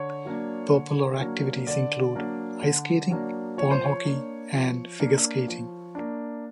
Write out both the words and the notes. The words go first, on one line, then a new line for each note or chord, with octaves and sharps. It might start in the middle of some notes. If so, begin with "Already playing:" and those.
Popular activities include ice skating, pond hockey, and figure skating.
Already playing: D3 C#5
F#3 A#3 D4
D3
F#3 A#3 D4
D3 D5
F#3 A#3 D4
D3
F#3 A#3 D4
F3 C#5
C5
C#5
A#3 D4
F3
A#3 D4
F3
A#3 D4